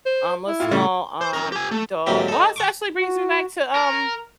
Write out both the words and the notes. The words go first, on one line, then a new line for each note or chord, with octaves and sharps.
um, a small, um, dog Well, this actually brings me back to, um
C5
E4
A2 F4
C#3 G3 A3
C5
C#4 A#4
G4 G#5
A3
D2 G#2 F#3 A#3 C4 G4
D#4 A4
F#5 C#6 D6
F#4
A#4